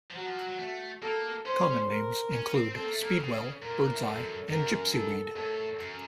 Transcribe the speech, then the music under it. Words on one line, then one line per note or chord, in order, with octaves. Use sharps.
Common names include speedwell, bird's eye, and gypsyweed.
F3
F#3 F#4
F3
F#3
F#3
A3
A#3 A4
C#4 C5
A#4
C#4
C4
C4 A4
A#3
A3
A#3
C#3
A#2 A#4
A2
F#2 A4
F#2 A#4
A4
A2 A4
F#2